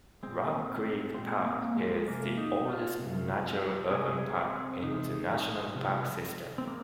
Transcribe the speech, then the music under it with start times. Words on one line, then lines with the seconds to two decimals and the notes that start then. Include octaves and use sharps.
Rock Creek Park is the oldest natural urban park in the National Park System.
0.23 A#2 G#3 C4
1.14 A#2 G#3 C4
1.46 A#3
1.77 G#3
2.07 C3 G#3 A#3
2.38 D#4
2.68 F4
2.99 C3 G#3
3.91 C3 G#3 G#4
4.36 C4
4.83 C3 G#3 D#4
5.75 C3 F3 G#3
6.58 C4
6.67 G#3 A#3